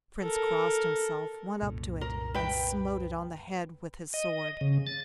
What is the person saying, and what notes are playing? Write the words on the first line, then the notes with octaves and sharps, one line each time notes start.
The Prince crossed himself, went up to it, and smote it on the head with his sword.
A4 A#4
C2 F#2 A#2
A#4
B4 G5
D#5
C#3
A6